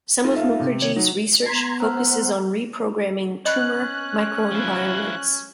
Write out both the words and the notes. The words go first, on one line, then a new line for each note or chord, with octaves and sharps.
Some of Mukherjee’s research focuses on reprogramming tumor microenvironments.
D#4 F4 A4
E5 F5
C3
D#2 C#5
F#3 D#4
B3 A#5 C6 G#6 B6 C7
C5 F#5 A#5 E6 F6
C#4 D#5 B5 F#6
F3 E4